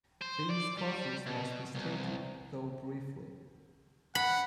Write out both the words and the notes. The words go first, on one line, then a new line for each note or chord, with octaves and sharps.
These causes must be stated, though briefly.
C5
D5
G3
B2
C2
F#5 B5